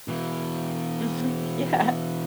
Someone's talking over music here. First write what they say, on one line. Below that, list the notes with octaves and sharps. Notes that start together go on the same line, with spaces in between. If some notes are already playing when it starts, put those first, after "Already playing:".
Mhm. Yeah.
B2 E3